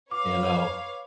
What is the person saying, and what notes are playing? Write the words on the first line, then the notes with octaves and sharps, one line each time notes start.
you know
B4 C#5 F5 D6